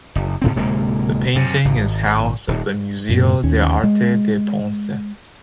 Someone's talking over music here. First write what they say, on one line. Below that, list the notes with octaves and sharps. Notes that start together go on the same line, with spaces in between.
The painting is housed at the Museo de Arte de Ponce.
F#1
G#2 C#3 C4
D1 C3 G#3 A#3
F#2 C3
G#1
D#1
F#2 A#2
D#2 C#4
G#3